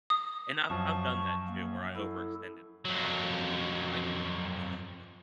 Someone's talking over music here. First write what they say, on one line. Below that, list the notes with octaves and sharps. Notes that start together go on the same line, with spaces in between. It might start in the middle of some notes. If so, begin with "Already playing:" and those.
And I've I've done that too, where I overextended myself, thinking, like, "I can handle this," but
D#6
F#2 F3 A5 C#6
A#3
E4 A4
F2 F#3